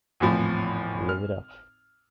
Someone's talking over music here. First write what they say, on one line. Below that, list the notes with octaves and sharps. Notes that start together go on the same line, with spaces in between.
Live It Up!
G#1 E2 A2 F3
F6